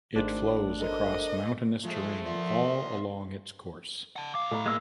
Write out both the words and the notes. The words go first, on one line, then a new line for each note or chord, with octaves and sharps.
It flows across mountainous terrain all along its course.
G#1 A3 D4 D#4 C5
A4 A#4 C5 D#5
F3 G#3 A3 G#4
A#4 D5 E5 C6
F#5 A5
B1 F5 D6
A2 A4 D#5 A#5
G#3 A#3 E6